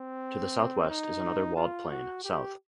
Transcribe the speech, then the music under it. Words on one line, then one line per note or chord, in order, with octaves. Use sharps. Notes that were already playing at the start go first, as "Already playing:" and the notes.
To the southwest is another walled plain, South.
Already playing: C4
D#4
F4
F#4
G4